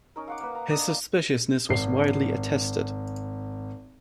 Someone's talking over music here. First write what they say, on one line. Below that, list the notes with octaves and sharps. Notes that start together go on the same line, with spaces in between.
His suspiciousness was widely attested.
C#4 D#4 A#4
F5 F#5 D6
A#3 B4
A#5
D4 D#5 A#5
A#3
G#1 C7